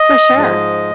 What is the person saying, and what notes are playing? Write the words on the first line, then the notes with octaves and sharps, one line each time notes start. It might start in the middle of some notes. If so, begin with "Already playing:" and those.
For sure.
Already playing: D#5
G#2 F3 G#3